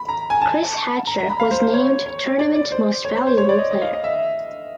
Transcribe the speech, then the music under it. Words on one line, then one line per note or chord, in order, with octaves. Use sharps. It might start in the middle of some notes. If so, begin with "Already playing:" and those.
Chris Hatcher was named Tournament Most Valuable Player.
Already playing: B5
A#5
G#5
A5
A#5
A#5
B5
F5
C5
C5
C#5
C#5
D5
D5
C5
C#5
C5
C5
C#5
D5
D#5
D#5
F5
D#5
E5